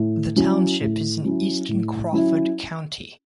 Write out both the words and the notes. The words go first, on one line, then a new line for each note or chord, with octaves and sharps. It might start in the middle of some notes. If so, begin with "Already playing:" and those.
The township is in eastern Crawford County.
Already playing: A2
F#3 C#4 E4
A2
F#3 C#4 E4
A2
F#3 C#4 E4